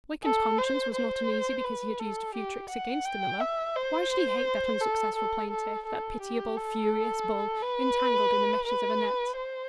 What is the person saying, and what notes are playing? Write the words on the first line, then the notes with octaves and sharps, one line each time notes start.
Wakem's conscience was not uneasy because he had used a few tricks against the miller; why should he hate that unsuccessful plaintiff, that pitiable, furious bull entangled in the meshes of a net?
A4
C5
C5
B4
A4
G4
F#5
G5
E5
C5
A4
A4
A4
A4
G4
A4
B4
B4
C5